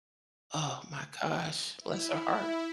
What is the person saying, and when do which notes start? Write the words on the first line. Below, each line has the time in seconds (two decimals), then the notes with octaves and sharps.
Oh, my gosh, bless her heart.
1.81 E4